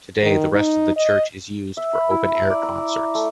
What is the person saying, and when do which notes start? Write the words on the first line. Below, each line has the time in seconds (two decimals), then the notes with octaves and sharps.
Today, the rest of the church is used for open air concerts.
0.23 D#3
0.55 D#4
0.96 D#5
1.77 E5
1.93 B5
2.11 E4
2.35 A#5
2.50 D5
2.63 A#5
3.15 A3